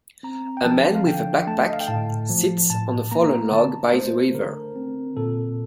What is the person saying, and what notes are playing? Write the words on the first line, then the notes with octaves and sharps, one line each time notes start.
A man with a backpack sits on a fallen log by the river.
C4 A#5
G5
F3 A5
F5
D3 G5
A3 A5
D#5
F5
G5
A2 A5
F3
A2 A5
A#3 A#5
D3 A5
A3 C5
D3 A#4
C4
A#2 A4